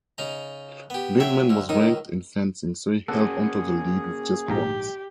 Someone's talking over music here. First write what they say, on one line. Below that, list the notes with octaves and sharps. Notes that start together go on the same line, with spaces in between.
Lindman was ranked in fencing, so he held onto the lead with just points.
C#3 D#4 A#5
B3 G4
F#3 E5 G5
D2 D3
C#2 D#3 D#4 D#6
A#3 C#4 F#4 G#4 A4 F#5
A#1 G#2 G4 A#5